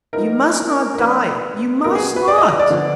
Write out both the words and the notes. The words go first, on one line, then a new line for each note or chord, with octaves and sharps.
"You must not die--you must not!"
F3 B3 D#4 A#4
A#4
F3 A#3 D4 B4
A#2 F#3 B3 A#4
G#4
B4
D5
D#5
D#5
D5
D3 F3 B3 D4